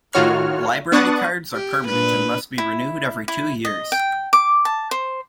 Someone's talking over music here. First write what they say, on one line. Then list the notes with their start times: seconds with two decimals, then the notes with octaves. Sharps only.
Library cards are permanent and must be renewed every two years.
0.14 A2 D#3 F4 F#4 C#5 F6
0.92 B3 D4 C#6 D#6 F#6 A6
1.54 G4
1.87 A#2 D4 B4
2.58 E4
3.28 E4
3.65 D#5
3.92 G5
4.33 D6
4.65 A5
4.91 C5